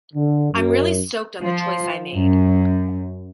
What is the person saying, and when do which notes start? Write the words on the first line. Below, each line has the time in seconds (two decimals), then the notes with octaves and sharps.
I'm really stoked on the choice I made.
0.14 D3
0.51 F#2
1.44 F3
2.13 F#2